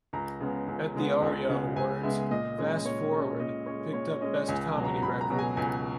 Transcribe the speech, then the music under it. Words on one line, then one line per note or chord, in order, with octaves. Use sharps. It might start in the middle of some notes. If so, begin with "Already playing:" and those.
At the Aria Awards "Fast Forward" picked up Best Comedy Record.
C#2 A#5
C#3 G#3 B3
C#2
C#3 G#3 B3
C#2
C#3 G#3 B3
C#2 G#5
C#3 G#3 B3 E5
A#2 D#5
G#3 C#4
A#2 C#5
G#3 C#4
A#2 D#5
G#3 C#4 C#5
A#2 C#5
G#3 C#4 D#5
C#2 G#5
G#5
B2 F#3
A#5
A#5
C#2 B5
A#5
B2 F#3
G#5
C#2 G#5